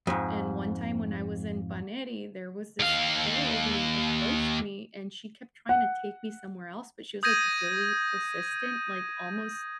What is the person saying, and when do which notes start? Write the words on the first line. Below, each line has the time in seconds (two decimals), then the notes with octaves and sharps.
And one time when I was in Paneri, there was this girl who approached me and she kept tryna take me somewhere else, but she was, like, really persistent, like almost,
0.07 F2 G#2
2.80 D#2 F5
5.69 F#5
7.23 D#6 G6 G#6 A#6 D#7